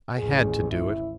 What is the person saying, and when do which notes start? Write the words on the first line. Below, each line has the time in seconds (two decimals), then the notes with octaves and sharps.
I had to do it.
0.18 A1 D#2 G#4
0.71 E4